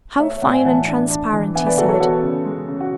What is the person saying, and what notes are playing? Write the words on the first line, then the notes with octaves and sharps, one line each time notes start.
"How fine and transparent," he said.
A3 C#5 E5
C#5 E5
A2 D5 F#5
E5 G#5
E3 F#5 A5
D4
D4
E3
B3 E5 G#5
B4 D5
E3 F#4 A4
A4 C#5
B3 F#4 A4
C#3
G#3
C#3
F#4